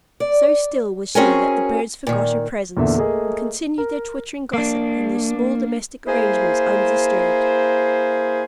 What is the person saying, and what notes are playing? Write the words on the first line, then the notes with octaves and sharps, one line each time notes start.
So still was she that the birds forgot her presence, and continued their twittering gossip and their small domestic arrangements undisturbed.
D5
C4 C#4 F#4 G#4 A#4 G#5
A#2 D#3
E2 A#2 D3 E5
A3 A#3 G#4 D#5
A#4
A#3 D4
A#3 E4 G#4 C5